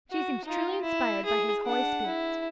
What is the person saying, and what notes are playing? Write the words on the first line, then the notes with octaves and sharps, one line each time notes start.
She seems truly inspired by His Holy Spirit.
F#4
D#4 F4
E4
G#4
D4 F#5
E4